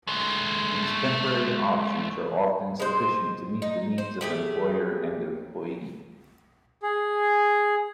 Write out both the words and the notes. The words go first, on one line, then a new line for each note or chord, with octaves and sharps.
These temporary options are often sufficient to meet the needs of employer and employee.
G#3 A3
G#3 C5
D#4
C5
A3 G4 G#4
G#4